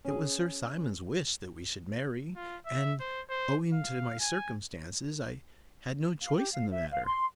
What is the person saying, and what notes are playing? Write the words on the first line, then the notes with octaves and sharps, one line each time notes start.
It was Sir Simon's wish that we should marry, and, owing to my circumstances, I had no choice in the matter.
C#4 G#4
F4
E5
C5
C5
F5
G#5
F5
G4
F5
E5
F5
C6